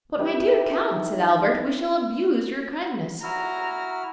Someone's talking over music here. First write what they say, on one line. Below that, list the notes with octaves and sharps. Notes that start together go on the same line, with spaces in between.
"But, my dear count," said Albert, "we shall abuse your kindness."
D#4 E4 G4 B4
E4 F#4 A#5 F6